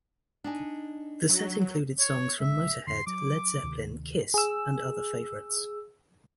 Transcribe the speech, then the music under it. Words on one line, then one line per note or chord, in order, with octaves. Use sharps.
The set included songs from Motorhead, Led Zeppelin, Kiss and other favorites.
D4 D#4 G#5
F#3
C#5
G#1 C#3 G#3 E5
F2 A2 D3 C6
F#3 D6
D2 C3 D#3
G#4 E6